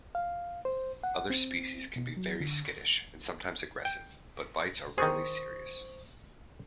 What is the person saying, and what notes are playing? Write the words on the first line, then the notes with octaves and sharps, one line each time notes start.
Other species can be very skittish and sometimes aggressive, but bites are rarely serious.
F5
C5
F#5
C4
B2
F#3
D3
G5
D#3 G#4 C5 C#6 D#6